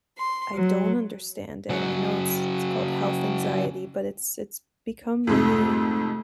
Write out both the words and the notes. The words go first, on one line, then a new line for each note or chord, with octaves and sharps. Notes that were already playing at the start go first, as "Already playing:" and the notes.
I don't understand it. I know it's it's called health anxiety, but it's, it's become really
C6
F#3
C#3 F#3
F2 G#2 C3 A3